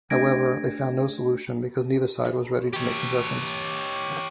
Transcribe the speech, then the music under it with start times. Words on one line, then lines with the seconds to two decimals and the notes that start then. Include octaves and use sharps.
However, they found no solution, because neither side was ready to make concessions.
0.10 A3 C#4 D4 G#6 A#6 D7
2.73 G4 C#5